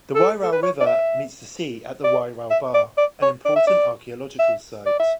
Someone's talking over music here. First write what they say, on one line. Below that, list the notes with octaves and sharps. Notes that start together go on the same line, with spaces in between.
The Wairau River meets the sea at the Wairau Bar, an important archaeological site.
A4
A4
B4
C#5
D5
E5
D5
E5
D5
D5
C#5
D5
E5
D5
E5
D5
E5